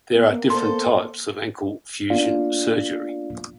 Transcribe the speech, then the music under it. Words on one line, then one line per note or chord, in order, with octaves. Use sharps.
There are different types of ankle fusion surgery.
A#3 B3
A4 C5 C6
A#3 B3 D4 F4 D5 F5